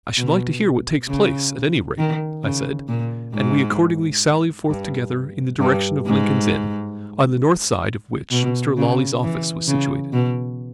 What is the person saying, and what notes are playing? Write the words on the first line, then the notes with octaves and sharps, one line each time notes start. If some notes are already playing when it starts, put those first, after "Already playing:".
"I should like to hear what takes place, at any rate," I said, and we accordingly sallied forth together in the direction of Lincoln's Inn, on the north side of which Mr. Lawley's office was situated.
B2
C#3
D#3
C#3
A#2
G#2
G2
G2
G#2
B2
C#3
E3
C#3
B2